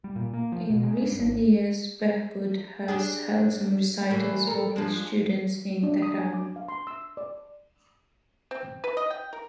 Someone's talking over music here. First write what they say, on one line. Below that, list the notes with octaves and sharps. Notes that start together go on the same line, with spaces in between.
In recent years Behboud has held some recitals for his students in Tehran.
G3
A#2
A#3
F3
B2
G#3
G2
G#1
D4 G4 G#4
A2 E3 A#3
A4 A#4
F3 G#3 D4
D4
D#6
G#5
D6
F5
C6
E6
D5
C4
B4
D#5
G5
A#4